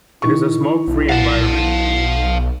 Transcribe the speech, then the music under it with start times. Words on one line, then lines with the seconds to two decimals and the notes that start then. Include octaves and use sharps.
It is a smoke-free environment.
0.22 D#3 E4 C#6
0.87 B1
1.09 F5 F#5 A5